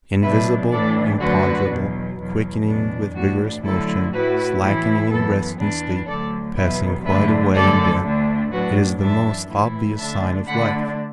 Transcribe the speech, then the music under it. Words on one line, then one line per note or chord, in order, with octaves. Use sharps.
Invisible, imponderable, quickening with vigorous motion, slackening in rest and sleep, passing quite away in death, it is the most obvious sign of life.
B2 F#3 D4 B4 E5
A2 E3 A3 D4 A4 D5
D2 D3 F#3 D4 F#4 B4
E2 B2 F#3
E2 B2 F#3
E2 B2 F#3 D4
A2 E3 D4 F#4
D3 F#3 A3 E4 A4
A2 A3 E4 F#4 B4
A2 E3 A3 E4
F#2 E3 B3 A4
E2 E3 B3 D4
D2 D3 F#3 A3 A4 D5
E2 B2 F#3 B3 B4 E5
F#2 D3 A3 D4 B4 E5
F#2 D3 A3 A4 D5
D2 D3 A3 D4
A2 F#3 D4 F#4 B4
F#2 E3 D4 E5 A5
A2 E3 A3 E4
D3 A3 D4 E5 A5
D3 A3 D4 F#5 B5